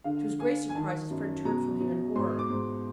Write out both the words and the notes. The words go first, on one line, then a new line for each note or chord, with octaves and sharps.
To his great surprise his friend turned from him in horror.
D3 F5
D3 G#5
G#5
D#3 A5
F#2
B2 A#5
B2
G#2 C6
D6
G#2